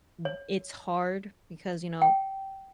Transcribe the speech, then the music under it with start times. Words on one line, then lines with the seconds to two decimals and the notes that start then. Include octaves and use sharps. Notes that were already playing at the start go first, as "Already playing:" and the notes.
mm, it's hard because, you know,
0.25 C#5
2.02 G5